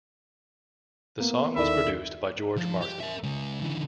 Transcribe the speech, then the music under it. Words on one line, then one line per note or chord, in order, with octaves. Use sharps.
The song was produced by George Martin.
A#3 B3
D#2 E4 A4 D5 E5 B5
F3
G4
A#4 E5
C#3 G#3
D3 E3